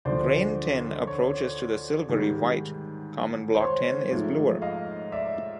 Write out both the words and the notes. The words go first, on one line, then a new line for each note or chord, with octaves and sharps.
Grain tin approaches to the silvery white. Common block tin is bluer.
D2 D3 F3 C5 D5
C#5
G#2 D#3 G3
C5
C#5
G#2 F3 A3
D#5 F5
D5 E5